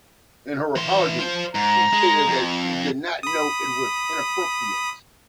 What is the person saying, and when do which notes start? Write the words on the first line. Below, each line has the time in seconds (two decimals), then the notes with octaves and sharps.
In her apology she stated that she did not know it was inappropriate.
0.76 E3 C6
1.19 F4 C5
1.55 G#2 A#5
1.93 G#3
2.27 F2
3.23 B5 D#6